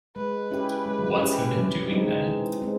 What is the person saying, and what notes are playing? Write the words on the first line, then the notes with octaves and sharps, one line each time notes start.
What's he been doing, then?
G#3 B4
C#4 E4 G4
G#3
C#4 E4 G4
E3
G#3 C4 D#4
E3
G#3 C4